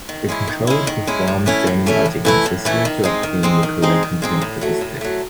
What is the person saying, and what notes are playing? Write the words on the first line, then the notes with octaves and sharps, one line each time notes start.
The controller performs any logic necessary to obtain the correct content for display.
D#3
G#3 C#4 E4
D#3
G#3 C#4 E4
D#3
G#3 C#4 E4
A2
E3 A3 C#4 E4
A2
E3 A3 C#4 E4
A2
E3 A3 C#4 E4
A2
E3 A3 C#4 E4
D#3
G#3 C4 D#4
D#3
G#3 C4 D#4
D#3
G#3 C4 D#4
D#3
G#3 C4 D#4
A2
F#3 A3
A2
F#3 A3